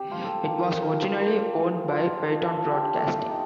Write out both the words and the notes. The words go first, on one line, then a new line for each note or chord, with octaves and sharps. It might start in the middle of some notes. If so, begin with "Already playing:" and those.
It was originally owned by Peyton Broadcasting.
Already playing: C4 G4
F3 F4
G4 A4
A#3 F4 G4
A#4
A4
F3 A4 A#4
A#3 F4
A#3
D4 F4
A#3 A4
A4
D4 F4
G4
G4
A3 A4
D#4